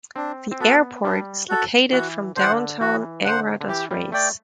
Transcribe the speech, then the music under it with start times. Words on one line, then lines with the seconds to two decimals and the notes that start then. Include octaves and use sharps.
The airport is located from downtown Angra dos Reis.
0.16 C4 D4
0.51 C4
0.60 B3 F#4 A4
1.04 G3 D4
1.49 F#4 A4
1.92 E3 F#4
2.37 D3 C5
2.40 E3 F#5
2.52 D3
2.81 E3 F#4
3.25 D3 C5 F#5
3.61 D3
3.68 E3 G4
3.91 G3
4.12 A3 D5 G5